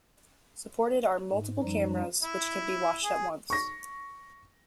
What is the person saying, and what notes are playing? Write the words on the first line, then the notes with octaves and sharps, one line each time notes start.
Supported are multiple cameras, which can be watched at once.
G#2
F#2 F3 G3 D#4
E4
G#4
C#6 A#6